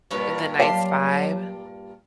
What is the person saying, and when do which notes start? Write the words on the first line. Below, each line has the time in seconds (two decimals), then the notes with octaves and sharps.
the night's vibe?
0.11 G2 A#2 B4 C#5
0.60 F#3 G4 F5 A5 C6